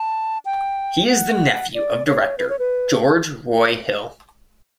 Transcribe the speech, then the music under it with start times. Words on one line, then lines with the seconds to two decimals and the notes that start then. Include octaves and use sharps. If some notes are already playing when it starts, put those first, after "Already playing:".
He is the nephew of director George Roy Hill.
Already playing: A5
0.45 G5
1.09 F#5
1.74 D5
2.07 C#5
2.38 B4
2.49 C#5
2.59 B4